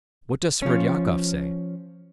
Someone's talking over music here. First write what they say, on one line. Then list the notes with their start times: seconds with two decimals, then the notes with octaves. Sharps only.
What does Smerdyakov say?
0.62 F3 C#4